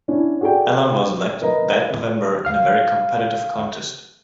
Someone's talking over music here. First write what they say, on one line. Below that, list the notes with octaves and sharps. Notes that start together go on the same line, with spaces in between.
Alan was elected that November in a very competitive contest.
C#4 D4 E4
F#4 G#4 A4 D5 G5
A#4 B4 D#5 A#5
F5 F6